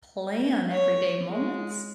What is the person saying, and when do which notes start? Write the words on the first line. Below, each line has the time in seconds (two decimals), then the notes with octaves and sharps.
plan everyday moments,
0.71 C#5
1.29 G#3